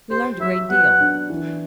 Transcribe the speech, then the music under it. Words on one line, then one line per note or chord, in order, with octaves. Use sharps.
We learned a great deal.
G4 C5
F#3 E5
B3 F#5
D4
E3